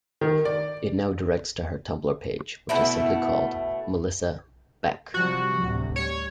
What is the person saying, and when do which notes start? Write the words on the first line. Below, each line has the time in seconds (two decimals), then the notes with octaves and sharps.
It now directs to her Tumblr page, which is simply called Melissa Beck.
0.21 D#3
0.45 D5
2.69 B2 A3 E4
5.14 C3 F3 G3 F#4
5.63 D2 A2 C3
5.96 G3 C#5